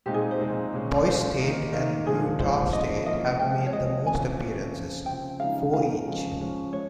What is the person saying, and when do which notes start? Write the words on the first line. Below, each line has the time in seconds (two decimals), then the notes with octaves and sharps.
Boise State and Utah State have made the most appearances, four each.
0.06 A#2 G#3 C4 D#4 G4
0.14 G#4
0.31 C5
0.39 A#2 G#3 C4 D#4
0.73 A#2 G#3 C#4
1.06 A#2 G#3 C#4 C5
1.39 D#3 A#3 D#4
1.73 D#3 A#3 D#4 A#4
2.06 A#2 F3 G#3 G#4
2.39 A#2 F3 G#3 C5
2.73 F3 A#3 C#4 D#5
3.06 F3 A#3 C#4 D#5
3.39 C3 F3 G#3 G5
3.66 C#5
3.73 C3 F3 G#3 D#5
4.06 C3 F3 A#3 C#4 G#5
4.40 C3 F3 A#3 C#4
4.73 C#3 F3 C4
5.06 C#3 F3 C4 G5
5.40 C#3 F3 G#3 C4 D#4 F5
5.73 C#3 F3 G#3 C4 D#4 F5
6.07 C#3 F3 G#3 C#4
6.40 C#3 F3 G#3 C#4
6.73 G#3 C#5